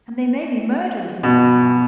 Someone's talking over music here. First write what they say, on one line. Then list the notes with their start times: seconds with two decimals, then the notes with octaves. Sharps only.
And they may be murderers in their hearts.
1.23 B2